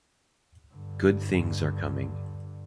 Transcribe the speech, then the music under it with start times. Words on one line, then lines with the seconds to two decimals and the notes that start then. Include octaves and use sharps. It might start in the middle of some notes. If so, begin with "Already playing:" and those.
Good things are coming.
0.74 G2 D3